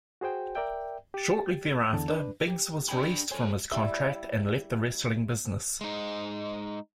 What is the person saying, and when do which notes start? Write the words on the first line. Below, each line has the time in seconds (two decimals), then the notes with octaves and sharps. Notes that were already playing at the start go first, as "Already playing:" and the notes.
Shortly thereafter, Biggs was released from his contract and left the wrestling business.
0.21 F#4 G#4 C5 G5
0.55 A#4 D5 E5 G5
1.14 G4 A6
1.93 E2 D3 A5
2.08 D4 B4
2.48 G4
2.89 D4 D5 G5 G#5 B5
3.31 A4 C5 C#5 G#5 C6
3.72 G3 E4 E5
5.81 G#3 D#4